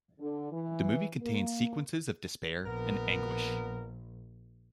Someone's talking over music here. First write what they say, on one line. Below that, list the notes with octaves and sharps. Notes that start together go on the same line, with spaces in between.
The movie contains sequences of despair and anguish.
D3
E3
A#3
A#1 B3 A#4